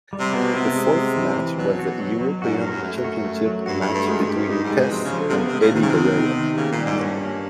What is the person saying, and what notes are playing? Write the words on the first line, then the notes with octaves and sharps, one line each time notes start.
The fourth match was the European Championship match between Test and Eddie Guerrero.
G3
C3
B2 B3
C3 B3
G#3
G#3
E3
E3
B2 F#3
F#4
F#3
F#3
G#2 F#4
G2
A#4
F#2
F#2 A3
F#4
A3
F#3
G2 F#4
G2
A3
G2
F#2 G#3
G2
G4
F#2
G2 D#4
G#2
G#3
B2
C3 F3
C#3
F3
D3
C3
C#3 B3
C3
G#3
C#3
C3 D#3
C#3
C3
B3
D#4
D#3
C#3 A#3
A#2
G3
G#2
G2 C#4
A#3